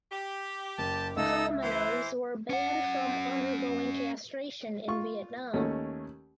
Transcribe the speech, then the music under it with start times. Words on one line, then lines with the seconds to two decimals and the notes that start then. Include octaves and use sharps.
Commoners were banned from undergoing castration in Vietnam.
0.12 G4
0.78 F#1 A5
1.17 C#2 D#4 A4 E5 E6
1.63 E3 C5
2.50 C#4 F#5
4.88 F4 C#6
5.54 D#2 A3 C#4